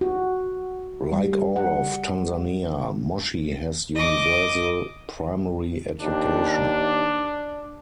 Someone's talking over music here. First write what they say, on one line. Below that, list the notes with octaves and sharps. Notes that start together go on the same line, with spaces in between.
Like all of Tanzania, Moshi has universal primary education.
F#4
G3
F#5
D#5 D6
D#2 D4